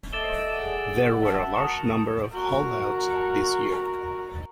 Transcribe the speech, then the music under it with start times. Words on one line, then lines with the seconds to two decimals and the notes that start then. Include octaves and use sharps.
There were a large number of holdouts this year.
0.12 A3 D5 D#5 E6 A6 E7 G7
0.57 G#4 F#5
1.22 E5 A5
1.56 F#4 A#4 D#6 E7
2.33 F#4 A#4